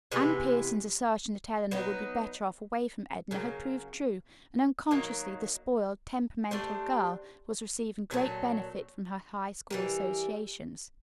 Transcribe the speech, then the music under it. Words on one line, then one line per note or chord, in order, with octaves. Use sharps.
Anne Pierson's assertion that Eleanor would be better off away from Edna had proved true, and unconsciously the spoiled, temperamental girl was receiving great benefit from her High School associations.
C3 E3 G#3 B3
F#3 B3 D#4
C#3 F#3 A#3
D#3 F#3 A#3
A3 D4 G4 C5
A#2 F#3 A3
E3 G3 A#3